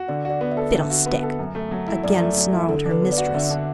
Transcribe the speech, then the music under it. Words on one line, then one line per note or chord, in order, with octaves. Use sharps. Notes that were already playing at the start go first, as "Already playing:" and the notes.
"Fiddlestick!" again snarled her mistress.
Already playing: F#4
D3 D5
F#4 D5
B3
E5
A4
D3
F#4
B3
A4
F#2
A3
F#3
E4
F#2 D5
A3
F#3
E4
D3 A4
D4
B4
B3
D5
F#4
D3 E5
D4